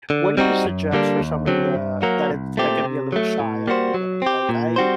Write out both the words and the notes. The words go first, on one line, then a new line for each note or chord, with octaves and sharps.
What do you suggest for somebody that that if that can be a little shy at the beginning? Like, I
D3
G3 C4 D#4 F#4
F#2
D3 G3 A#3 D4
D#2
D3 F#3 C4
G2
F#3 A#3 F#4 A#4
C2
A#2 A3 C4 G4
C3
F#3 A3
A2
G3 A#3 F#4 C5
F#3
C4 G4
A#2
G3 C4 F#4 C5